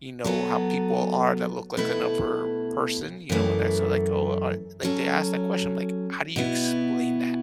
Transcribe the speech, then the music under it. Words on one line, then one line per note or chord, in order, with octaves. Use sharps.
you know, how people are that look like another person, you know, and that's sort like, "Oh, are" like, they asked that question, like, how do you explain that?
F#3 B3 A4
B2 A3 E4 B4
F#2 E3 A3
F#3 C#4 A4
B2 B3 E4